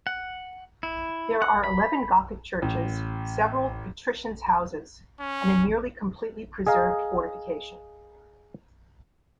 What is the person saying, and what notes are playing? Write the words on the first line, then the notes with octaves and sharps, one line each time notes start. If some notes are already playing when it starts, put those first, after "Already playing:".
There are eleven Gothic churches, several patricians' houses and a nearly completely preserved fortification.
F#5
E4
F#5
B5
A1
C#4
G#4 D#5 F5 A#5